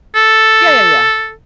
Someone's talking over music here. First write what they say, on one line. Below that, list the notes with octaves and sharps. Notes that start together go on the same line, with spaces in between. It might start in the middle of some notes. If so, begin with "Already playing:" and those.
Yeah, yeah, yeah.
A4